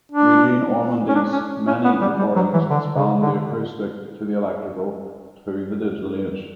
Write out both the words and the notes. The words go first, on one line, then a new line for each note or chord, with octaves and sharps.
Eugene Ormandy's many recordings spanned the acoustic to the electrical to the digital age.
D4
C#4
D4
C#4
C#4
B3
G3
G3
F#3
E3
D3
C#3
D3